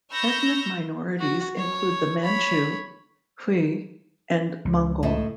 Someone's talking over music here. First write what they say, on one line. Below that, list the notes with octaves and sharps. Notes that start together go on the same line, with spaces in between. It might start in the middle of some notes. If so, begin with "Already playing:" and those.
Ethnic minorities include the Manchu, Hui, and Mongol.
B5 C#6 E6 F6 G6 A#6
F#4
C#5
C#5 B5
C#2
A2 D#5 E5